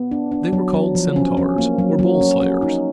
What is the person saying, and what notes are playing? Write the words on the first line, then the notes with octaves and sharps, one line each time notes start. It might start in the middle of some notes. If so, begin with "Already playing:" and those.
They were called Centaurs, or Bull-Slayers.
Already playing: B3
D4
D4
F#3
F#3
F3
C#4
C#4
A#3
F#3
F#3
C#4
C#4
D#4